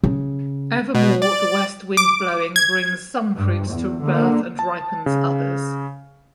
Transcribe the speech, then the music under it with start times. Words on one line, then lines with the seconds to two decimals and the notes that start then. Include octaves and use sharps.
Evermore the west wind blowing brings some fruits to birth and ripens others.
0.04 C#3
0.95 B2
1.22 D5
1.97 D6
2.56 G#6
3.34 G2
3.70 E2
4.02 D3 A#3
4.59 A5
5.06 C#3